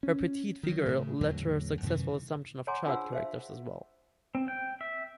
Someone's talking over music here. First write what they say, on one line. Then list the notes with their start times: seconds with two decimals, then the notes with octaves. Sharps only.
Her petite figure led to her successful assumption of child characters as well.
0.03 C#4
0.63 D#3 F#3
0.86 A2 C#3
1.21 E2 A2 D3 F#3
1.82 F#2 C3 D#3 E3
2.67 C#5 F#5 G#5 A#5 C6 D6
2.86 D4 F4 G#4 C5 F#5 E6
3.13 C5 E5 F5
4.35 C4
4.48 G5
4.81 E5